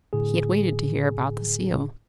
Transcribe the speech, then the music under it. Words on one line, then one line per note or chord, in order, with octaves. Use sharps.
He had waited to hear about the seal.
A2 D3 G#4